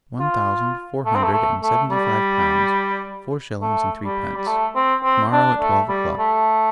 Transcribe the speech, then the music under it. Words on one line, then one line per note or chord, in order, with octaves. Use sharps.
One thousand, four hundred and seventy-five pounds, four shillings, and threepence, tomorrow at twelve o'clock.
F4
A3
C4
A3
A3
A3
G3
A3
G3
G3
A3
C4
C4
D4
A3
G3
A3